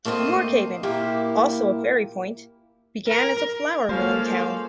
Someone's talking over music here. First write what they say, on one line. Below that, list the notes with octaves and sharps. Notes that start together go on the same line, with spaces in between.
York Haven, also a ferry point, began as a flour milling town.
A3 A#3 C4 C5 D#5
A#2 A#3 E4 G4
A#4
G#3 A#3 C#4 F4 A4 C5 F5